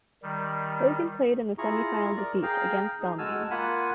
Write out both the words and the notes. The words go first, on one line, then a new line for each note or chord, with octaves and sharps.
Hogan played in the semi final defeat against Balmain.
D#3 G3
E4 F4 G#4 A#5 C#6
A#4 D5
G#4 F5 G5 A#5
D#4 G#4
G#3 F#4 G#5 A5 E6 F6
A#3 F4 F#5 G#5 B5